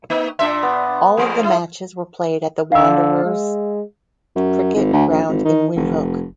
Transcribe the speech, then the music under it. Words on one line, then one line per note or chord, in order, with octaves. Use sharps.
All of the matches were played at the Wanderers Cricket Ground in Windhoek.
A#3 D#4
A#2 D4 E5 C6
B3
F2 A3 G#4 C5
E4
D3 F5 E6
G#3
F#2
G#1
D2
A#1
G#1
D#3
F1